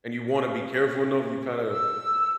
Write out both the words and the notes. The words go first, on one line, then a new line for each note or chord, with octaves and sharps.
and you wanna be careful enough, you kinda
E6